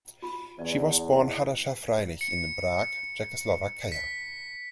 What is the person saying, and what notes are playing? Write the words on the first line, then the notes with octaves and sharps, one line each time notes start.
She was born Hadassah Freilich in Prague, Czechoslovakia.
F4 B5
E2 D5
C#7
B6